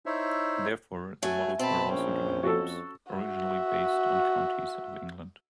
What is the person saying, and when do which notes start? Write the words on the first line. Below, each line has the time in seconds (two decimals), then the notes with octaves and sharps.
Therefore, the models were also given names, originally based on counties of England.
0.06 D#4 E4 C5 C#5 E5
1.23 F#3 A3 G#5
1.59 B2 C4 A5 B5
1.92 A#1 C#4 C5
2.44 F2 F#4 A4
3.12 F#4 E5